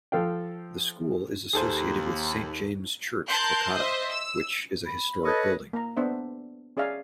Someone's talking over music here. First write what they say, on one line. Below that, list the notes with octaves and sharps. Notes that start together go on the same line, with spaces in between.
The school is associated with Saint James' Church, Kolkata, which is a historic building.
F3 A4 F5 G5
D#2 G#4 A4 C5
A#4 A5 C6 F#6 G6
C5 D#5 E5
E6
B5
A4 B4 C#5 D#5
A#3 A#5
B3 D4 C5 E5
C#4 G#4 D5 E5 F5 G#5